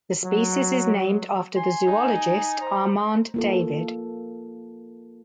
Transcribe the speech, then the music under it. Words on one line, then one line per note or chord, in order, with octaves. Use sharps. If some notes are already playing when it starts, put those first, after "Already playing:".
The species is named after the zoologist Armand David.
F#3
G#5 C6
D#4
C5 A#5
A#3 F4 A4